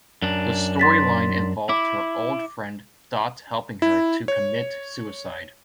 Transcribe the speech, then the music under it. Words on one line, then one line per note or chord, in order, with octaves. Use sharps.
The storyline involved her old friend Dot helping her to commit suicide.
F#2 D4
C6 A6 B6
E4 D6
E4
C#5